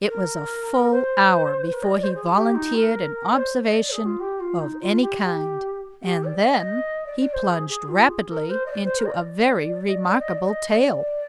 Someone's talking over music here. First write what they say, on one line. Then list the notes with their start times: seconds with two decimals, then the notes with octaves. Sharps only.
It was a full hour before he volunteered an observation of any kind, and then he plunged rapidly into a very remarkable tale.
0.08 A#4
0.91 C5
1.72 A#4
1.83 D#5
1.93 D5
2.03 C5
2.14 G#4
2.34 G4
2.55 D#4
2.75 A#4
3.33 D5
3.37 C5
3.64 D#5
3.77 D5
3.91 G#4
4.05 F4
4.19 G4
4.39 F4
4.59 D#4
4.80 F4
5.00 G4
5.21 G4
6.03 G4
6.24 D5
6.38 D#5
6.52 D#5
7.06 D5
7.20 D5
7.33 C5
7.48 G#4
7.68 G#4
7.88 F4
8.09 G#4
8.29 A#4
8.50 C5
8.65 D#5
8.70 D5
8.84 C5
8.98 A#4
9.05 D#5
9.12 D5
9.87 D#5
9.94 D5
10.07 D5
10.21 D#5
10.33 D5
10.47 D#5
10.70 D#5
10.76 D5